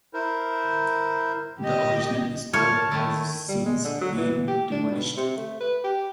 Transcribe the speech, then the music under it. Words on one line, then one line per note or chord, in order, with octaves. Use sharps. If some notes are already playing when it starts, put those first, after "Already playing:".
The original store has since been demolished.
E4 A#4 C5
G4 D#5
C#5 A5 F6
D#3 A3 E4
G3
G#3
D3
F#3
E3
G4
D4
B2
C3
A3
B4
G4